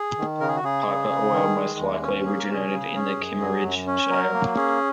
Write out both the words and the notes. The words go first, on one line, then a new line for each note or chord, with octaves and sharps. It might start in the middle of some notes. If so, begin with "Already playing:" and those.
Piper oil most likely originated in the Kimmeridge Shale.
Already playing: G#4
D#3
C#3 A#4
G#4
F#4
C#3 G#4
C#3
C#3
D#3
G#3
D#2
C#4
A#3 G#4
A#4
C#4 G#4
C#3
C#4
F#2
F#3
F#2
C#4
F#3 A#4
A#3
C#4 G#4